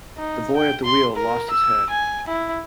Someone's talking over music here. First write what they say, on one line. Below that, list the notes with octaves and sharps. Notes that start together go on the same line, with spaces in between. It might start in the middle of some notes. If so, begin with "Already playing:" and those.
The boy at the wheel lost his head.
D#4
G5
C6
A#4
E6
G#5
E4